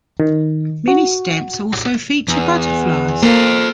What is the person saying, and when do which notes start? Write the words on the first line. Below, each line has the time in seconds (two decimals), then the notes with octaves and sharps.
Many stamps also feature butterflies.
0.20 D#3
0.88 F#4
2.28 E2
3.23 A#3 A4 C5